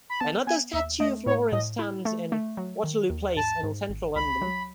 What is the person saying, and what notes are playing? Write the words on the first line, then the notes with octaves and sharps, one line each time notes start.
Another statue of Lawrence stands in Waterloo Place in central London.
B5
B3 A5
B3 G#5
D#2 E5
A3 D#5
A2 C#5
A2 D#5
E4
A3
A3
F#3
D#3
D#2
G#2 A5
G#2
G#1
C#2 B5
F#3